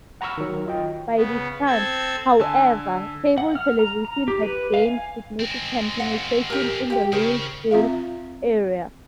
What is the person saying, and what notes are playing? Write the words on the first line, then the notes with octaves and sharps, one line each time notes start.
By this time, however, cable television had gained significant penetration in the Louisville area.
F#5 A#5 B5 C#6 E6 F6
D#3 F#3
F4 D#5 G5
C#3 B3
C4 A4 G#6
D3 G#5 A5 E6
F#5
F6
A#5
A#5
G4
B4
F5
G#5
G#3 C4
F#5
G4 A#4
G4 G5
C#3 G#4 A#4 C5
C4 F4 E5 F5